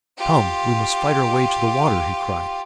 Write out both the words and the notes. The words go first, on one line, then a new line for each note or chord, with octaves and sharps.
"Come, we must fight our way to the water!" he cried.
F4 G4